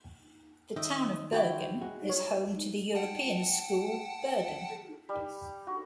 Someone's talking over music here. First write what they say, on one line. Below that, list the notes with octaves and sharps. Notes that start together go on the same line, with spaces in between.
The town of Bergen is home to the European School, Bergen.
D#3 D#5 E5
E4 F#4 G5 D6
G#3 F#4
C#5
F#5 G5 A5
G3
F#4